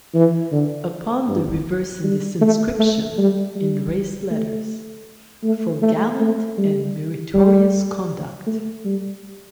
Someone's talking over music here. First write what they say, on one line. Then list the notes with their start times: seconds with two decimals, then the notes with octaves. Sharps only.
Upon the reverse in this inscription, in raised letters: For gallant and meritorious conduct.
0.15 E3
0.52 D3
1.28 G2
2.04 G3
2.41 A3
2.80 A3
3.18 G3
3.55 G3
4.31 A3
5.44 A3
5.82 A3
6.20 A3
6.58 G3
7.34 G3
8.47 A3
8.85 G3